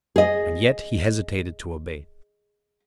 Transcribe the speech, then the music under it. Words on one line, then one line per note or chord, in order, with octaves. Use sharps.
And yet he hesitated to obey.
G#4 D#5